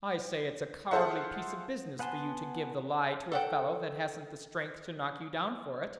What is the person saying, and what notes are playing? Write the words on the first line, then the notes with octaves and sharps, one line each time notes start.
"I say it's a cowardly piece of business for you to give the lie to a fellow that hasn't the strength to knock you down for it."
F4 G#4 A4 C5 E5 F#5
B3 F#5 G#5 A5 C6
A4 F#5 G5